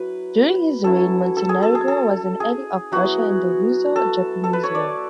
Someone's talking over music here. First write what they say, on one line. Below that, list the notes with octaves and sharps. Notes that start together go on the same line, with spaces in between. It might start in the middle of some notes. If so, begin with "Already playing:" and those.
During his reign Montenegro was an ally of Russia in the Russo-Japanese war.
Already playing: F#3 E4 B4
F#3 C#4 E4 A4
A4
G#4
A4
G#4
A4
G#4
F#3 B3 E4 F#4
A4
A4
B4
C#5
D5